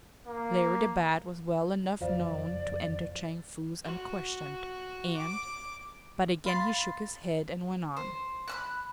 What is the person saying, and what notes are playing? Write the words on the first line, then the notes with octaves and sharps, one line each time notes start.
Larry the Bat was well enough known to enter Chang Foo's unquestioned, and--but again he shook his head and went on.
A#3
F#1 F2 E3 F4 C5 D5 F5
F#4
D6
F5 B5 C6 A6
C5
B5 E6 F#6